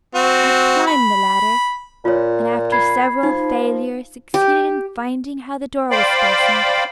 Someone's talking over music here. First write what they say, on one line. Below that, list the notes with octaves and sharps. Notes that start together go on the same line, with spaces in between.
I climbed the ladder, and after several failures succeeded in finding how the door was fastened.
C4 F#4
B5
A#2 F4 C#5
B5 G#6 C7
F3 D#4
G4
C5 D5 F5 G5 B5